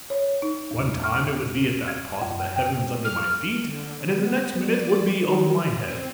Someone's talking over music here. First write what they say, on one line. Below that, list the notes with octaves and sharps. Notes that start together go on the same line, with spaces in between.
One time it would be at that part of the heavens under my feet, and in the next minute would be over my head.
C#5
D#4
E2
F6
G#6
F#2
G5
F6
D3
B3
D5
D#3
C4